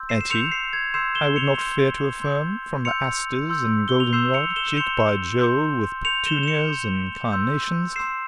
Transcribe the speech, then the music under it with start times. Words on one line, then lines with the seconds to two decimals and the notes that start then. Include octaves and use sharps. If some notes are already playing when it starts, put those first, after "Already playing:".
Etty, I would not fear to affirm, from the asters and golden-rod, cheek by jole with petunias and carnations.
Already playing: C6 E6 G6
0.09 C7 E7
0.21 E7
0.30 C6 E6 G6 C#7 F7
0.52 C7 E7
0.73 G#6
0.94 C6 E6 G6 C7 E7
1.15 E7 G7
1.36 C#7 F7
1.58 C6 E6 G6
2.21 C6 E6 G6
2.85 C6 E6 G6 C#7 F7
3.50 C6 E6 G6
3.88 G7
4.00 F7
4.13 C6 E6 G6 C7 E7
4.34 C#7 F7
4.56 E7 G7
4.68 E7
4.77 C6 G6 C#7 F7
5.41 C6 G6
6.05 C6 G6 C#7 F7
6.26 E7 G7
6.43 E7
6.47 C#7 F7
6.69 C6 G6
7.32 C6 E6 G6
7.96 C6 E6 G6 C7 E7